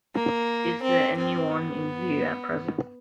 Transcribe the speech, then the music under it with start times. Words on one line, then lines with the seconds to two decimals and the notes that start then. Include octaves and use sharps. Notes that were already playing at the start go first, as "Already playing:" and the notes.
Is there any one in view at present?
0.15 A#3
0.82 C4
1.18 C4
1.51 B3